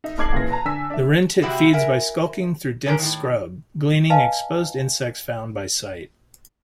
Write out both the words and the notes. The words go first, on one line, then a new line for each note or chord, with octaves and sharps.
The wrentit feeds by skulking through dense scrub gleaning exposed insects found by sight.
D#4 E5
F1 D#4 D6 G#6 C7 F#7
A#2 C#3 E3 A#6
B4 A5 A#5
D3 D4 G#5 E6 B6
D4 E5
C3 G#3 C4 E4 F#4 G4
A#4 E5 F#5 G#5
C3 D#3 C#4 D4 A#4
A2 D#3
B4 D#5 F5 G#5 A5